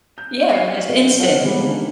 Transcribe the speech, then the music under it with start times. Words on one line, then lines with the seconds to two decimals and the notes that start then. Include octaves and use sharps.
Yeah, and it's instant.
0.18 G6
0.52 F#3 F5 C7 C#7
0.89 B1
1.19 F4 A4 C#5 F5 F#5
1.41 G#2 D#3 E3 G3 G#3 B3
1.61 D3 D#3 A#3 C#4